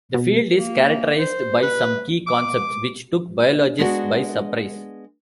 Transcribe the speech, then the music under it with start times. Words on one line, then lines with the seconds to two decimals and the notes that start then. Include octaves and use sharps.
The field is characterised by some key concepts, which took biologists by surprise.
0.14 B2
0.59 A#3
1.19 C5
1.63 B4
2.27 D6
3.79 G#3 B3 D4 F#4